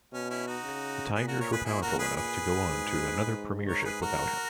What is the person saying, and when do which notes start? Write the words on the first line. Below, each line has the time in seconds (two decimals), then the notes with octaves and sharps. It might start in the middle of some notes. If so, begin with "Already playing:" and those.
The Tigers were powerful enough to go on to another premiership without him.
0.13 B2 C#4
0.30 C#4 E4
0.47 D#4 F#4
0.64 C#3
1.15 A#2 G#4 B4
1.27 F#4 A#4
1.40 A#4 C#5
1.52 G#4 B4
1.65 A#2 E4 G#4
1.82 F#4 A#4
1.99 G#4 B4
2.16 G#4 B4
2.67 G#2
3.68 A#4 C#5
3.85 G#4 B4
4.02 F#4 A#4